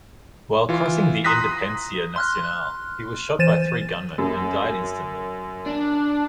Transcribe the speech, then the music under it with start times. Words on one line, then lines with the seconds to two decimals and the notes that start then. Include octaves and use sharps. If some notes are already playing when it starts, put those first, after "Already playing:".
While crossing the Independencia Nacional, he was shot by three gunmen and died instantly.
0.69 E3 F4
1.24 A#5 C6 D#6 F#6 A#6 B6
2.16 C6 F6 F#6
3.39 E3 C5 A6 D#7 E7
4.18 F#2
5.66 D4